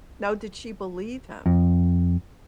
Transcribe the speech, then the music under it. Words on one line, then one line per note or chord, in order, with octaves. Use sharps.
No. Did she believe him?
F2